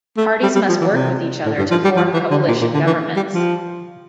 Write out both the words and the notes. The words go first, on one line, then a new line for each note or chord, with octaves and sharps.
Parties must work with each other to form coalition governments.
A3
G3
G3
F3
E3
C3
A2
G2
F3
G3
F3
E3
D3
A#2
A#2
D3
E3
G3
F3